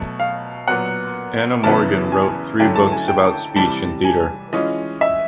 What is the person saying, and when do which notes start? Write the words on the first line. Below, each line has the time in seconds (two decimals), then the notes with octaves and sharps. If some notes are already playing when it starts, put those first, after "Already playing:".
Anna Morgan wrote three books about speech and theatre.
Already playing: B2 F#3 A3
0.20 F5
0.68 A#2 F#3 B3 F#5
1.64 E2 C#3 F#3 B3 E4 A5
2.12 G#5
2.60 D3 F#3 A3 C#4 E4 G5
2.76 A5
2.92 G#5
3.08 G5
3.56 C3 E3 G3 A5
4.04 G#5
4.53 E3 G#3 C#4 F4 D#5
5.01 E5